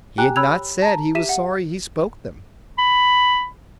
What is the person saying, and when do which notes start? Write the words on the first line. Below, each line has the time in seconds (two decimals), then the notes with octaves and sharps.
He had not said he was sorry he spoke them.
0.18 G4 G5 G#5 A#5 F#6
0.36 C#5 B5 E6 F#6 G#6 F7
0.82 A5 A#5
1.15 G4 E5 B6 D#7 E7
1.29 F#5
2.78 B5